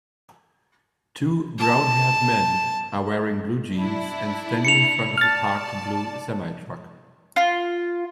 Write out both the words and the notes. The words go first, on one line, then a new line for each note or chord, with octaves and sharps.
Two brownhaired men are wearing blue jeans and standing in front of a parked blue semitruck.
A5
D4 E4
C#7 F7
D5 A5 F6 A6
F4